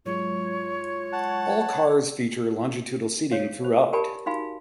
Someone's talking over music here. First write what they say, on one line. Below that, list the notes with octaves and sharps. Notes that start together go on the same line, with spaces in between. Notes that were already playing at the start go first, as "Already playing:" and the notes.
All cars feature longitudinal seating throughout.
G#2 F#3 G#3 F4 C#5
F#5 A5
C#5 F5
C5
G4 A#4 D5 G#5 A5 B5
D#4 F#4 F5 G#5 B5